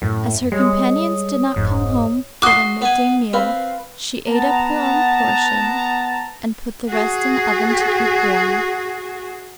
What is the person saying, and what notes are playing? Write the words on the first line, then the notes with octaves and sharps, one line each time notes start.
As her companions did not come home for their mid-day meal, she ate up her own portion and put the rest in the oven to keep warm.
F#2 A2
G3 G#3 C#5 D#6
F1 G#2
F#4 C6 D6 D#6 F#6 C7
B3 G#5
C4 B4 F5
B3 A5 A#5
F#4 G#4